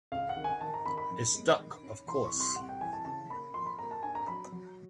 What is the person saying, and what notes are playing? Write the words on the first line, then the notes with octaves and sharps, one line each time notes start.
It stuck, of course.
C#2 F5
F#5
D#3
G#5
D#3 A5
A#5
D#3 B5
B5
F#2
G#3
D#3
C#4
E3 C6
C#6
C2
C6
C2 F#5
G5
E3 G#5
A5
C#3 A5
A#3 B5
F3 C6
B5
A#3 A#5
A5
D4 G#5
A#5
F#3 B5
F#3